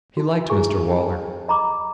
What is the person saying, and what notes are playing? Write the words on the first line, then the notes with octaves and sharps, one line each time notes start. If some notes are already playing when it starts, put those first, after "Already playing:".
He liked Mr Waller.
D#4 F#4
E4 G4 G#4 G#5 C#6
C#4 G#5
D#5 A#5 B5 D6